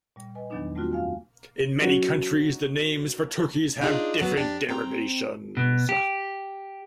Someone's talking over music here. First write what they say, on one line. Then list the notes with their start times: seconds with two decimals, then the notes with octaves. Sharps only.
In many countries, the names for turkeys have different derivations.
0.16 A#2 G3
0.35 B4 D#5 G#5
0.50 E2 D#3 F#3 B3 D4 D#4
0.75 G3 A3 C4 F4 F#4
0.91 F#2 F5 G#5 F6
1.82 F#3 C#4 F#4
3.81 D4 D#4 F4 G4 G#4
4.21 F#3 B3
4.37 F2 D4 G4
4.69 C4 G5 A#5
5.57 B2
5.89 G4